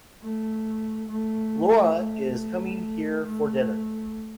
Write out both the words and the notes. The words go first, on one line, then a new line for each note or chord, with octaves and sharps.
Lara is coming here for dinner.
A3
A3
A3
A3